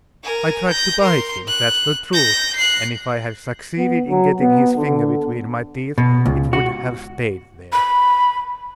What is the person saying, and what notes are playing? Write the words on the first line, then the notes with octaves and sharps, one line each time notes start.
I tried to bite him: that's the truth, and if I had succeeded in getting his finger between my teeth, it would have stayed there.
A#4 G#5
G6 A#6
A#4 C6
F#6
G6 A#6
F#6 C7
B3
F#3
B3
D3
B2
C#2
F#4
B5